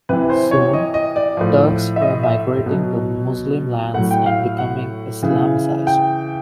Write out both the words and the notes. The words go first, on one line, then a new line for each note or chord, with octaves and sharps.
Soon, Turks were migrating to Muslim lands and becoming Islamicized.
C3 E3 B4
C5
C#5
D#5
D#5
D5
A2 F3
E5
D#5
E5
B2 F#3
A2 F#3 F#5
G5
F5
F#5
C#3 E3
G5